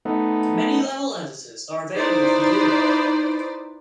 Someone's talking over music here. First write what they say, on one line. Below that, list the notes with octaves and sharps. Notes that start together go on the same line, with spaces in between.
Many level editors are available for "Doom".
A3 B3 D#4
D#4 E4 B4 C5 D5